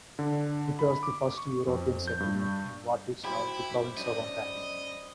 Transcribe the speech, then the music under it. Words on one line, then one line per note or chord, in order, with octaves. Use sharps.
It was the first European settlement in what is now the province of Ontario.
D3
B5
D6
C#6
F2
G6
G2
F#3 E4 G4 C5 B5
F#2 D4 D#5